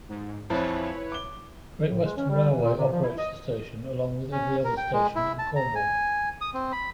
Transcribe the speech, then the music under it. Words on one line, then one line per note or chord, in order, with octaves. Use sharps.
Great Western Railway operates the station along with every other station in Cornwall.
G#2
F2 E3 F3 E4 B4 C#5
D6 G7
A2
G#3
C#4
G3
E3
A#2
C3
F3
E4
D#5
C#4
A#4
G5
G#3
E4
A5
A#5
G#5
D#6
C4
B5